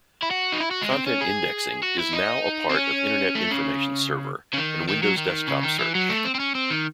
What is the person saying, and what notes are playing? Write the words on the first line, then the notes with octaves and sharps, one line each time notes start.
Content Indexing is now a part of Internet Information Server and Windows Desktop Search.
E4
F#4
D#4
E4
F#4
G#3
C4
C#4
G#4
F#4
E4
D#4
C4
C#4
A3
C#3
C#3
D#3
D#3
F#3
D#3
C#3
D#3
E3
F#3
A3
C4
C4
C#4
C4
D#3